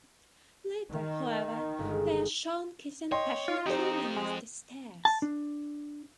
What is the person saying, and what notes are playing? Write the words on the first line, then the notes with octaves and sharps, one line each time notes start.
Later, however, they are shown kissing passionately beneath the stairs.
D#3
G1 G#3
C#5 D#5 G5 C6
F4
F2 C4 D#4 G4 C5
G#3
A5
D4